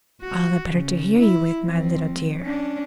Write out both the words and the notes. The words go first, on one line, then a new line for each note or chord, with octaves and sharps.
"All the better to hear you with, my little dear."
F#4
C#3
E4
F3 C4
C#4 D4